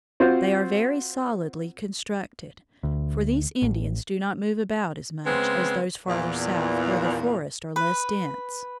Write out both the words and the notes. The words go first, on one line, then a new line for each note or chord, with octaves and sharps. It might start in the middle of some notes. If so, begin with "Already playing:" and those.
They are very solidly constructed, for these Indians do not move about as much as those farther south where the forests are less dense.
C4 F4 F#4 C5
D2
A1
C#3 G#3 B3 C4
E2 A#2
B4